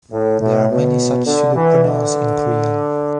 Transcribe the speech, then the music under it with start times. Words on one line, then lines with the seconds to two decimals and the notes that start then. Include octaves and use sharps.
There are many such pseudo-pronouns in Korean.
0.12 A2
0.41 A2
0.69 B2
1.26 D3
1.55 E3
1.84 D3